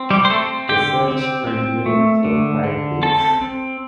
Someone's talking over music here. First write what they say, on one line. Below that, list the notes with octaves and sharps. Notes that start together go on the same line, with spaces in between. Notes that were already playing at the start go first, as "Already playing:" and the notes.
The search continued for five days.
Already playing: C4
G3 G4
C5
A3 C4 A4
D3 G4 G5
C4
C4
A3
D3
D3
C4 A4 A5
C4